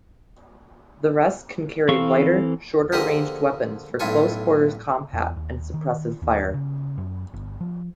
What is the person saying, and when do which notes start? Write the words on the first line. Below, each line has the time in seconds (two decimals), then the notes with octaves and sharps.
The rest can carry lighter, shorter-ranged weapons for close-quarters combat and suppressive fire.
1.89 E3 C4 A4 F5 C#6
2.92 D3 F3 A#3 G4 G#4 D#5
4.00 B1 A2 F4 A4 G#5
5.13 E2
5.37 D#2
5.74 D#3
6.22 D#2
6.54 C#3
6.98 F#2
7.34 G1
7.61 F3